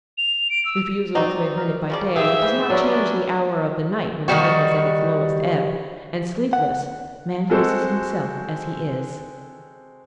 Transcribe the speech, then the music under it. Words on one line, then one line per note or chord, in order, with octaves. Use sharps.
Refusal to admit it by day does not change the hour of the night when life is at its lowest ebb, and, sleepless, man faces himself as he is.
F7
D7
E6
C4 D#4 F#4 D5
A#4
C#3 F3 G3 D5
G#2 G4 G#4 E5 F5
E3 C5
F#3 G3 B3 C#4 D4
D#3 E3 G3 F#4
F#5
G#3 C4 F#4 A4 C5